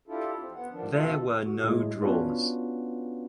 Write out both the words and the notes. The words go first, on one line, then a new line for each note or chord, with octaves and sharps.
There were no draws.
D4 E4 F4 G4 A4
F2 C4
B3 F#5
D#3 F3 G3 D4
D2 B2 E3 A3 F4 A4
F#4
A2 G#3
B3 C#4 D4 F4 F#4 B4